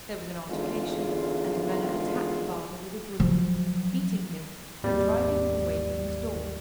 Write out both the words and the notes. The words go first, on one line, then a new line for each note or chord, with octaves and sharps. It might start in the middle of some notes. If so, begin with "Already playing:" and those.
There was an altercation, and Ammella attacked the barber with a broom, beating him and driving him away from his door.
G#1 E2 D3 G#3 F4
F3 F#3
G#1 D#2 G3 D5